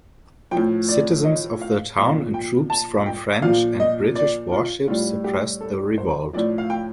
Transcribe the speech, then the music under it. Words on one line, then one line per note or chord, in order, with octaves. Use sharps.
Citizens of the town and troops from French and British warships suppressed the revolt.
A2 F3 G5
D5
D#5
F5
A#2 F3 F5
G5
A5
G5
A#2 F3 F5
D#5
D5
F4
A2 G3 F4
G4
A4
C5
A2 F3 D5
F5
G5